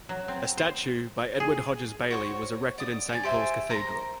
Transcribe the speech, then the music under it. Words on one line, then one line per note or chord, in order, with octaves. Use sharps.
A statue by Edward Hodges Baily was erected in Saint Paul's Cathedral.
F#3
C4
C5
G#4
F#4 C5 C#5
D5 D#6
D5 G#5
G4 C5 E5 G#5
A#4 C5 A#5